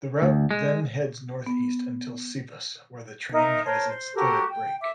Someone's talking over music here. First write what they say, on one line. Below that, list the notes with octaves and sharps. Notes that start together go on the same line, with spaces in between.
The route then heads north-east until Sivas, where the train has its third break.
D2
G#3
B3
D#4 A#4 E5
A#4 C5 C#5 A5
C5
F#4 G4 A4 A#4
G5
E5 D6